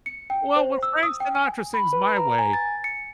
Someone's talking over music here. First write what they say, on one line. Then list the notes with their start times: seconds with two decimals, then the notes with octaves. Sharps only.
Well, when Frank Sinatra sings "My Way,"
0.06 C#7
0.30 G5
0.56 C5
0.83 E6
1.03 D#6
1.20 G5
1.35 G#5
1.74 B5
1.93 B4
2.17 A#5
2.39 G#5
2.54 A6
2.84 C#7